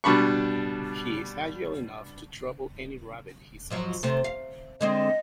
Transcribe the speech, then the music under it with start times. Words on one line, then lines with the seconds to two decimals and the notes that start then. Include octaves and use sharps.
He is agile enough to trouble any rabbit he scents.
0.04 B2 G3 D4 B5 C#6
3.70 G#2 F3 F#3
4.03 C3 A3 C4
4.24 F5
4.81 D3 G#3 C4 D#5